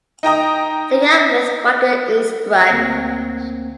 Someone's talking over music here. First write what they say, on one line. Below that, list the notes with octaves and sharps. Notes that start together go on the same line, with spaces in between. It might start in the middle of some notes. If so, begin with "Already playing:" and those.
Liga with Wacker Innsbruck.
D#4 G5 A#5 D#6
D2 A#3 C4